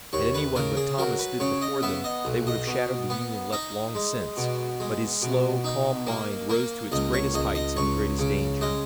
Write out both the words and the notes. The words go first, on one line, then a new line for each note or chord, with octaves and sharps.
Had anyone but Thomas stood before them they would have shattered the Union left long since, but his slow, calm mind rose to its greatest heights in the greatest danger.
D#2 C#5
B4
C#3 A#4
G#4
F#3 A#4
B4
C#3 C#5
D#5
B3 E5
D#5
B1
D#5
B2
B3
D#4 D#5
G#3
B2
G#3
B2
D#4
A#3
A#3
C#2 D#5
C#5
C#2 D#5
D#5
C#2 C#5
C#3
G#3 D#5